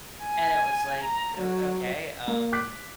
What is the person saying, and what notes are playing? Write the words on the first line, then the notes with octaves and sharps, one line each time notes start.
And it was like, "Oh, okay, um"
G#5
A#5
F#3
A#3
D6 F#6 B6